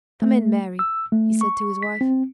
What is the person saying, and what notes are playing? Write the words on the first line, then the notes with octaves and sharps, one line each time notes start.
"Come in, Mary," he said to his wife.
A3
E6
A3
C#6
B6
C4